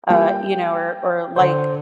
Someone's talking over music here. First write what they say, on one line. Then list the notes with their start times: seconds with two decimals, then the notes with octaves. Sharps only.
uh, you know, or or, like,
0.10 G3 A#3 F4 G5
1.36 D3 C5